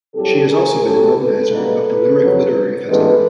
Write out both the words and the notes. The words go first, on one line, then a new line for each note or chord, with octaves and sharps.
She has also been an organiser of the Limerick Literary Festival.
C2 A#2 F#3 G4 A4
G#4 A#4
F#2 C#3 F#3 G4 A4
A4 B4
C#2 B2 G3 A#3 D#4
F2 C#3 F#3
A1 G2 E3 G#3 B3 A4 B4